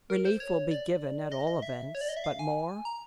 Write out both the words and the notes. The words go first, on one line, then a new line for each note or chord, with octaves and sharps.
Relief will be given at all events; but more?
A#4
C5
C#5
D5
D#5
D#5
E5
C#5
D5
D#5
E5
F5
G#5
A#5